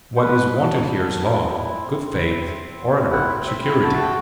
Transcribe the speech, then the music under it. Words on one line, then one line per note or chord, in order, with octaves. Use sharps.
What is wanted here is law, good faith, order, security.
C5
B3 B4
B3
A4
D#4
B3
B3
E4
C4
C4
E4
C4
C4
E4
C4 F#5
E5
C4
E5
E4
G5
F#4 A5
A5
G5